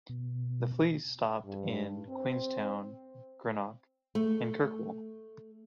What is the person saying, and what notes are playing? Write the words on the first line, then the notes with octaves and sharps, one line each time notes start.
The fleet stopped in Queenstown, Greenock, and Kirkwall.
B2
G2
C4
A3